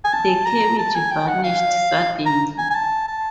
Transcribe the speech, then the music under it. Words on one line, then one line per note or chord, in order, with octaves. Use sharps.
The cabbage vanished suddenly.
G#5
A5
A#5
A5
G#5
G5
F#5
F5
A#5
G#5
G#5
A5
A5